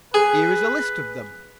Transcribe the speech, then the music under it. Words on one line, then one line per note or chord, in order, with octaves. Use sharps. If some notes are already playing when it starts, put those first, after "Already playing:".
"Here is a list of them."
G#4 B4